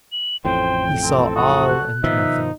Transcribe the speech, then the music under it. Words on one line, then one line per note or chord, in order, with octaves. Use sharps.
He saw all, and nothing.
F#7
A1 F2 A2 C5 G5
C4 A4
F#4 D#6
F#6
B2 D#3 F3 D#4 E5